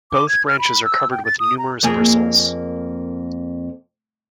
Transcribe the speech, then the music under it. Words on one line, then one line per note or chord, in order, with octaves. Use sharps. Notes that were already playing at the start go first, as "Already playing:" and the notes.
Both branches are covered with numerous bristles.
D6
G#6
F6
B5
E6
G5
A6
D#6
A#5
F2 A#3 G#4